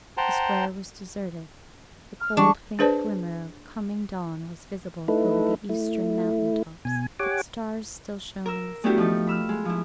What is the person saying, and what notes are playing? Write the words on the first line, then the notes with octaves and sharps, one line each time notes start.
The square was deserted, the cold faint glimmer of coming dawn was visible over the eastern mountain-tops, but stars still shone in the sky.
C5 F#5 G5 A5 A#5 C6
F6
E3 G3 D4 C#6
D4 G#4 B4 C5 D5 A5
A3 D#4 E4 A4 B4
A3 E4
B2 G#5
G4 C#5 F#5 G#5 D6
A#4 E6
A3 B3 D4 E4 F#4 G4
F3 D#4 A4
B5 E6 F6
G#3
F3 E4